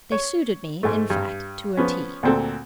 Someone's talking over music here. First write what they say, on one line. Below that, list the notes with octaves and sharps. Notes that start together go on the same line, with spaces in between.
They suited me, in fact, to a T.
C#5
G#2 A3
G2
F3 B3 C#4
D2 A#2 C4 A4